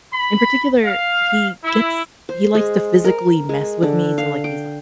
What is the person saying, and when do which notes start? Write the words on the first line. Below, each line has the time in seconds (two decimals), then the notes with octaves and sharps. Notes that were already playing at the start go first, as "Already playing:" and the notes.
In particular, he gets he likes to physically mess with me, so, like, he's, like,
0.13 B5
0.85 F5
1.63 E4
2.29 C5
2.55 G#3
3.04 A#4
3.49 G#3
3.83 D3
4.18 F5
4.44 G5